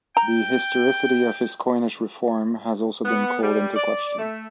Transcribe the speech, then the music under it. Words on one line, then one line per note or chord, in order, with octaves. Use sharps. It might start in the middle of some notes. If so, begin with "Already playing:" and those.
The historicity of his coinage reform has also been called into question.
G5 A#5
B3
G3
D5
A3